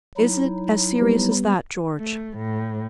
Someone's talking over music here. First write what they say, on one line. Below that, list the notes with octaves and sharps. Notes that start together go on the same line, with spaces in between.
"Is it as serious as that, George?"
F#3 D#4 E4
G3 B3
A3
A2